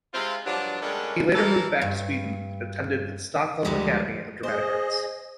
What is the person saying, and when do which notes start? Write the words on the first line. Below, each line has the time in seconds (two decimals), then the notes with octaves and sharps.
He later moved back to Sweden and attended Stockholm Academy of Dramatic Arts.
0.13 C3 G#3 C4 E4 F4
0.45 G2 F3 F#3 D4
0.81 D3 G3 G#3 A#3 C#4 D4
1.35 E3 A4 A#4
1.82 G2
3.65 D2 D3 F3 G3 G#3 G4
4.43 G#4 C5 D#5